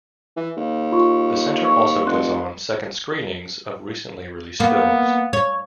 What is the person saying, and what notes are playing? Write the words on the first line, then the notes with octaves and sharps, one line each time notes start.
The centre also puts on "second screenings" of recently released films.
E3
D#2
F4 C6 C#6
C#6
F1 C6 F#6
A#3 B3
C#5